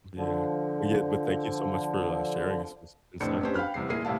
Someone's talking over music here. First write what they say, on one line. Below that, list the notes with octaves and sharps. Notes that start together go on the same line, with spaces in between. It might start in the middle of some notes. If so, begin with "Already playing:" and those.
yeah, but yeah but thank you so much for, uh, sharing it's it's insightful.
D3 F3
F1 A2 D4 C5 G6 C#7
B3 C#4 D4 G4 C5
F5 G5 B5 F6 F#6
E2 C3 G3 C7
A#2 E4 G#4 A#4 C7 D#7
A2 C3 E4 F5 A5